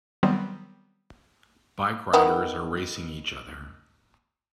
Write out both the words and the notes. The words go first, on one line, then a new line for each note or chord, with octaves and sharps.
Bike riders are racing each other.
D#3 F#3 G3 B3 C4
D#3 B3 E4